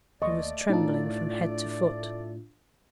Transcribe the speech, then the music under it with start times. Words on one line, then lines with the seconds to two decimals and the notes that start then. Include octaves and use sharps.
He was trembling from head to foot.
0.22 D#2 A3 D5 D#5 C6 C#6
0.70 A2 D4 D#4 F4 A5